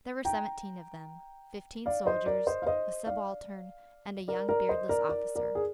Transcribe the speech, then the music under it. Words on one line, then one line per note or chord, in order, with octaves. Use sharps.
There were seventeen of them, fifteen soldiers, a subaltern and a young beardless officer.
G5 A#5
D5 F5
C5 D#5
A#4 D5
C5 D#5
F5
C5 D#5
D5 F5
A#4 D5
A#4 D5
C5 D#5
A#4 D5
A#4 D5
A#4 D5
G#4